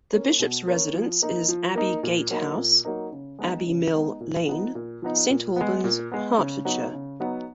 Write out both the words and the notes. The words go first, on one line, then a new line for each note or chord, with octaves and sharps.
The Bishop's residence is Abbey Gate House, Abbey Mill Lane, Saint Albans, Hertfordshire.
A#3 C#4
B2
A#3 C#4
F3
A#3 D#4
F3
A#3 D#4
A#2
F#3 A#3 D#4
A#2
F#3 A#3 D#4
C#3
G#3 B3 D#4
C#3
G#3 B3 D#4
A#2
F3 B3 D#4
A#2
F3 B3 D#4
A#2
G#3 B3
A#2
G#3 B3
C#3
F#3 B3 D#4
C#3
F#3 B3 D#4